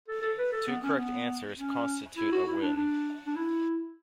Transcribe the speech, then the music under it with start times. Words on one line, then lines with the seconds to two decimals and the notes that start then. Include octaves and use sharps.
Two correct answers constitute a win.
0.08 A4
0.22 A4
0.38 B4
0.52 A4
0.67 B3
0.83 C#4
0.97 B3
1.58 C#4
2.17 E4
2.32 F#4
2.47 E4
2.62 D4
2.77 D4
3.26 D4
3.36 E4